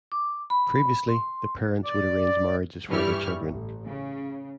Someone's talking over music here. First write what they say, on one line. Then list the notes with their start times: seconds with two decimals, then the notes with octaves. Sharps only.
Previously, the parents would arrange marriages for their children.
0.12 D6
0.50 B5
1.08 C6
1.84 D5
2.88 G2 E3 G3 E4 C#6 F6
3.49 A1
3.85 C#3